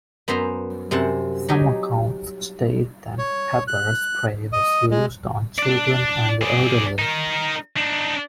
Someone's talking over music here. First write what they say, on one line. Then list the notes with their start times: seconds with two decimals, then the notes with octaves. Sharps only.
Some accounts state that pepper spray was used on children and the elderly.
0.28 F#2 B3 C5 E5 A#5 C6
0.91 F#2 C3 C5 F#5 A5
1.48 F#3 D#4 G4 G#5
3.18 C#5
3.68 F#6
4.53 D#5
4.91 G#3
5.59 D4 D5
6.41 G#4 D5
6.99 D#4 A#4
7.77 D4 D#4